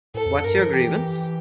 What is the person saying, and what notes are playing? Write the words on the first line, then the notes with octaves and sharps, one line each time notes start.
What’s your grievance?
A2 A4
E2
F2
G2 A#4
F3
E3 G4